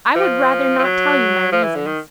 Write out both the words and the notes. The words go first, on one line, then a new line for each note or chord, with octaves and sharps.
"I would rather not tell you my reasons."
F3
F3
F#3
F3
E3
D3
D#3